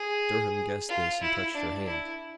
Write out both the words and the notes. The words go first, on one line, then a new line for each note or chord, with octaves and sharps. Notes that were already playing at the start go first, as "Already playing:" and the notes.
Durham guessed this and touched her hand.
Already playing: G#4
F4
E4
D4
E4